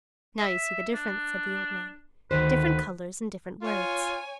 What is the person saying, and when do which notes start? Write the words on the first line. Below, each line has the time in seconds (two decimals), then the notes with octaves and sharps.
"Now you see the difference," said the old man: "different colours and different words."
0.39 E5
0.94 D4
2.31 D2 D#3 B4 C5
3.63 F4 C#5 G#5